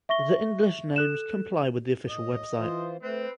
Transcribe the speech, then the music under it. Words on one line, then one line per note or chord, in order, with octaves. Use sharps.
The English names comply with the official website.
E5 C#6 A#6 G7
A4 F#6 E7
A2 D#5
E3 F4 C5
A3 C4 B4